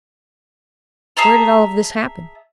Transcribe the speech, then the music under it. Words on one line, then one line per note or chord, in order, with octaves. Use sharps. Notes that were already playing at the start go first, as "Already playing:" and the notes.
"Where did all of this happen?"
G#4 E5 A5 A#5